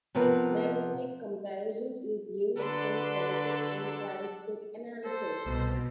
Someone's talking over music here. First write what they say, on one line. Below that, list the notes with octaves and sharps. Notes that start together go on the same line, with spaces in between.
Meristic comparison is used in phenetic and cladistic analysis.
C3 F3 B3 A#4 B4
D3 F#3 D4 A4 B4 C6
A4 C5
C2 B2